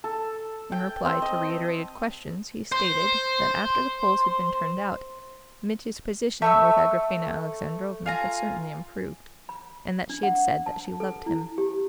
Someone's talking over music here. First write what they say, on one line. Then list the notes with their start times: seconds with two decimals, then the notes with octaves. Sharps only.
In reply to reiterated questions he stated that, after the Poles had been turned out, Mitya's position with Agrafena Alexandrovna had certainly improved, and that she had said that she loved him.
0.04 A4
0.72 G5
1.05 C4
1.22 D#5
2.72 C5 C6
6.42 A3 E5 C#6 E6
8.06 F4 G#5 A#5
9.49 B5
10.10 D4
10.23 F#5
10.66 A5
11.00 A4
11.26 E4
11.58 G4